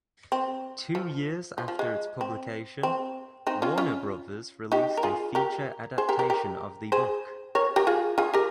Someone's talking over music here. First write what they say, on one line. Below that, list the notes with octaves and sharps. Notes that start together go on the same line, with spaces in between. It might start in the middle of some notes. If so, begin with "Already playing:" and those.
Two years after its publication, Warner Brothers released a feature adaptation of the book.
C4
F3
F3
F3
G#3
C4
C4
C4 D#4
C#4 F4
C#4 F4
D#4 G4
A#4
F4 G#4
G4 A#4
G#4 C5
G4 A#4
G4 A#4
G4 A#4
G#4 C5
A#4 C#5
G4 A#4
F4 G#4
F4 G#4
G4 A#4